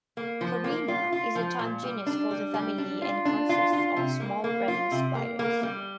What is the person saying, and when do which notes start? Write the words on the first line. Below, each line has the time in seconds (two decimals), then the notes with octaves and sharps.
"Corinna" is the type genus for the family and consists of small running spiders.
0.17 A#3
0.41 F3
0.64 A#3
0.88 F4
1.12 F4
1.35 F3
1.59 A#2
1.83 G3
2.06 D4
2.31 G3
2.54 G3
2.78 D4
3.02 F4
3.25 D4
3.49 F4
3.73 F4
3.97 C3
4.20 A#3
4.44 A#3
4.68 F4
4.91 C3
5.15 A#3
5.39 A#3
5.63 G3